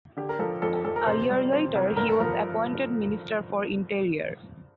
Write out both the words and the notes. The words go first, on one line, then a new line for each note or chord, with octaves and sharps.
A year later he was appointed Minister for Interior.
D3 G4
A#4
F3 A4
F2 A4
A4
F2 A4
A#4
C3 C5
G3
C4
C2
G2 A#4
A4
F3 A#4